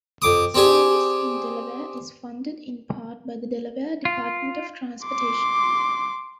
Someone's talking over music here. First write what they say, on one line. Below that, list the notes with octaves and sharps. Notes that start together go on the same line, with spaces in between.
Service in Delaware is funded in part by the Delaware Department of Transportation.
F2 D6 D#6
C4 D4 G4 G#4
F4
C6 D6